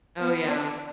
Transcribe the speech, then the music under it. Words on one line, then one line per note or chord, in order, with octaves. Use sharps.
Oh, yeah.
B3
D4